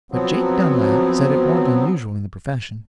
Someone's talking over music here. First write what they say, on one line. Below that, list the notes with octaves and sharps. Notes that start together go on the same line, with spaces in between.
But Jake Dunlap said it warn't unusual in the profession.
F3 F#3 B3 C4